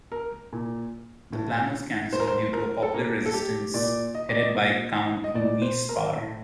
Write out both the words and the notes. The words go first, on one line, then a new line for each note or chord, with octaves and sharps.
The plan was cancelled due to a popular resistance headed by Count Louis Sparre.
A#4
A#2
A2
A2 C5
A#4
C5
A#4
A4
A#2 A#4
A4
G4
A#2 D5
D#5
D5
D#5
A#2
D#5
A#2 D5
C5
A#4
A2